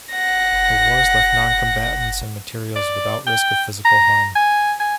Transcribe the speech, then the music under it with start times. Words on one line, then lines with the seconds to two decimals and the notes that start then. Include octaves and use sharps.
The wars left noncombatants and materials without risk of physical harm.
0.13 F#5 A#6
2.76 D5
3.27 G5
3.85 A#5
4.35 G#5
4.80 G#5